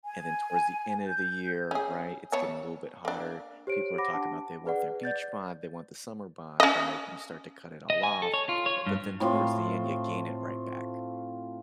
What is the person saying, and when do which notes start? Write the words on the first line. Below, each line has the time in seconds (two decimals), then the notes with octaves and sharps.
And then towards the end of the year, right, it's getting a little bit hotter, people are talking about, "They want their beach bod, they want the summer bod," right? And you start to cut it all off, e but then towards the end, you gain it right back.
0.05 G#5
1.07 G6
1.71 C#4 G#4
2.32 B3 C#5 A5
3.05 A#3 D4
3.67 G4 C5 C#5 D7
3.98 F#5 B5 D6 A#6
4.13 D4 F#5 A5
4.66 G#4 B4 D5 F#5
5.03 D5 G6 A6
6.60 C#4 D#5
7.90 D#5
8.03 G#5
8.22 A4
8.34 C#5
8.49 F4
8.66 C#5
8.86 G2
9.20 A2 C4 F4